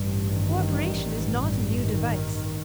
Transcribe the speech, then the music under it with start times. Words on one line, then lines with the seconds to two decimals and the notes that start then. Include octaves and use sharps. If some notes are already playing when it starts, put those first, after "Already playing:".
Co-operation is not a new device.
Already playing: A1 G2
0.33 D#3
1.71 D#3